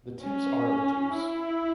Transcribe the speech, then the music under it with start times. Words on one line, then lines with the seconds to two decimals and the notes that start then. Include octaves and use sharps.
The tips are obtuse.
0.23 C#4
1.13 E4